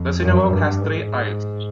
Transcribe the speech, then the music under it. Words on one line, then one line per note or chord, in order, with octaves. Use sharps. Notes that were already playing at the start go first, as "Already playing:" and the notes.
The synagogue has three aisles.
Already playing: F2
F#2
G2
G#2